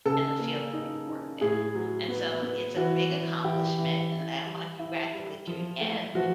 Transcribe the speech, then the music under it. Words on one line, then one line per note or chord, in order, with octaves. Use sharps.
in the field that they've worked in. And so it's a big accomplishment and I want to congratulate you again,
C#3 A4
A#3
D#4
D#4
A2 G#4
F#3
B3
B3
E3 F#4
E3
E3 G4
E3
E4
G3
E4
G3
F3
A3
F3 F#4